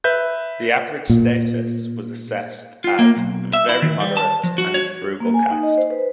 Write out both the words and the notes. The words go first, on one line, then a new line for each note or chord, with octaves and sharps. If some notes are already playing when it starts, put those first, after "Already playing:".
The average status was assessed as "very moderate and frugal cast".
B4 E5 G6
A#2
F4
A#3
B1
E5
E4
D#3
G3
A5
F3
F#4
C#5
A#3
G#5
D#4
D#5
C5
B4